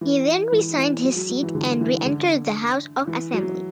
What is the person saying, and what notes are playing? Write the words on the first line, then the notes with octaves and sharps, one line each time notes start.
He then resigned his seat and re-entered the house of assembly.
E3
E3
E3
F#3
F#3
F#3
E3
D3
E3
D3
E3
F#3